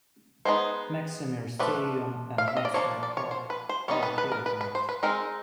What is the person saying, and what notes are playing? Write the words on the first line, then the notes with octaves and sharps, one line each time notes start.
Maksimir stadium and Maksimir Park are located in it.
G#3 B3 D#4 C5
F3 A3 D4 B4
F5
E5
D#5
D5
F3 A#3 D4 C#5
D5
C#5
C5
B4
C5
G3 B3 D#4 C#5
B4
B4
A#4
B4
B4
C5
B4
G#3 C4 D#4 A#4